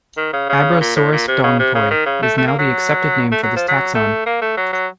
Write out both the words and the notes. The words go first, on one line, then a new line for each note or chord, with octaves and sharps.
"Abrosaurus dongpoi" is now the accepted name for this taxon.
D#3
C#3
C#3
A#2
A2
A#2
C3
C#3
C3
C#3
D#3
C#3
A3
A3
A#3
F#3
A3
F#3
F3
F#3
A3
A#3
A3
F#3
F#3